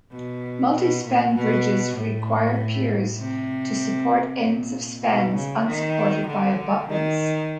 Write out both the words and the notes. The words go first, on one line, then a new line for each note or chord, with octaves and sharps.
Multi-span bridges require piers to support ends of spans unsupported by abutments.
B2
B2
A#2
B2
A2
C3
A#2
B2
C#3
D#3
D3
D#3